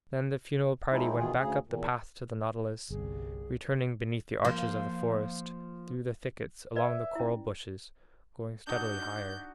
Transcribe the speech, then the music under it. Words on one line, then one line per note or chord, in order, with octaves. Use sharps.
Then the funeral party went back up the path to the Nautilus, returning beneath the arches of the forest, through the thickets, along the coral bushes, going steadily higher.
F3 G#3 C4 C#4 D#4 E4
B2 D#3 E3 F4 G#4
D2 C#3 G#4
E2 A#2
G1 C2 G#4
F3 A#3
B4 D5 E5
C#4 E4
D4 D#4 F#4 G6